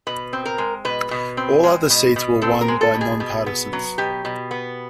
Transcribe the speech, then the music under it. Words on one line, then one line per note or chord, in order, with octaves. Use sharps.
All other seats were won by non-partisans.
B2 B4
C4
A#4
G#3
B2 B4
B2
C4
G#3
B2
B2
C4 A4
A#4
G#3
A4
B2
G#4
B2
B3
F#3
B2 G4
B2
B3